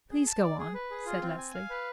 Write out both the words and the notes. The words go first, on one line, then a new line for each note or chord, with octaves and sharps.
"Please, go on," said Leslie.
G#4
A5
D5
G#4
B4
G#4
F4
C4
G#5
F5
B4